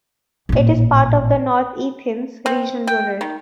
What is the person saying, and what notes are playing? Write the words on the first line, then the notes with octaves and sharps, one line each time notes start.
It is part of the North Athens regional unit.
A1 A#2
C4
G5
D#3